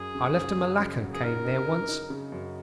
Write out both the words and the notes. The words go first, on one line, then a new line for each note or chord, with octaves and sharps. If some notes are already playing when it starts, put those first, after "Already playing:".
I left a malacca cane there once.
Already playing: F#2 G#4
C#3
F#2
F#2
C#3
F#3
G#4
D#4 A#4
D#4
D#4
D#4
C#3
F#2